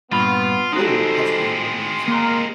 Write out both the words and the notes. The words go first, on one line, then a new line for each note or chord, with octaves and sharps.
All have been removed.
G2 A#2 B3 F4 B5
G3 G#3 C4 D#4 F#4 A4 C5
A#3 A#4 C6